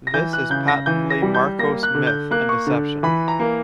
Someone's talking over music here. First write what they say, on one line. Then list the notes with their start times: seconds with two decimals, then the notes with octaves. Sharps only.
This is patently Marcos myth and deception.
0.07 A#6
0.14 E3 G6
0.33 F#6
0.50 C#3 G6
0.68 A#6
0.86 E3 G6
1.10 A#6
1.22 G3
1.34 G6
1.59 A#3 A#6
1.83 F#6
1.95 D3
2.07 G6
2.31 A#3 F#6
2.49 C#6
2.67 D3
3.03 E3 B5
3.28 A#5
3.40 A#3